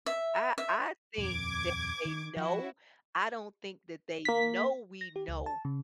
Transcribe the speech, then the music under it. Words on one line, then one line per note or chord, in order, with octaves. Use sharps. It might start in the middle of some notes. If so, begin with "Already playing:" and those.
I I think that they know, I don't think that they know we know
E5
E5
D#1 F2 D6 G#6
D#3
F3 E4 F#4
A#3 B6
A#6
G4
C#2
A5
C#3